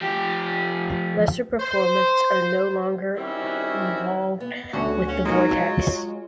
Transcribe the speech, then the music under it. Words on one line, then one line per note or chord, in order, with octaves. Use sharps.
Laser Performance are no longer involved with the Vortex.
F3 G4
C5
D#3 G3 C4 C#4 E4 F#4
B3
D2 C#4 F#4
C#4 F#5
F#3 G#3 D#4 F#4 A#4
F4 F#4 C#5